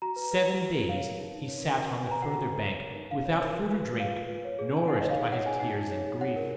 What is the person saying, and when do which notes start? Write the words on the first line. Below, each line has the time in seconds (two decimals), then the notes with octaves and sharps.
Seven days he sat on the further bank without food or drink, nourished by his tears and grief.
0.02 F#4 A#5
0.16 B4
0.31 B4
0.45 F#4
0.60 F#4
0.74 B4
0.89 C#5 F5
1.04 A#4
1.19 D#4
1.34 D#4
1.49 C#5
1.64 A#4
1.79 F#4 F#5
1.89 F#5
1.94 B4
2.00 G#5
2.08 B4 A#5
2.22 F#4 F#5
2.38 F#4
2.52 B4
2.67 C#5
2.82 A#4
2.96 D#4
3.11 D#4 F5
3.25 C#5
3.41 A#4
3.55 F4
3.70 B4
3.85 B4
4.00 F4 F5
4.14 F4
4.29 B4
4.45 C#5
4.59 G#4
4.74 D#4 G#5
4.88 D#4 F#5
5.01 C#5 D#5
5.10 F5
5.18 G#4
5.32 C#5 F#5
5.46 G#4 G#5
5.60 D#4 F#5
5.76 D#4
5.92 C#5
6.06 G#4
6.21 C#5 F#5
6.36 A#4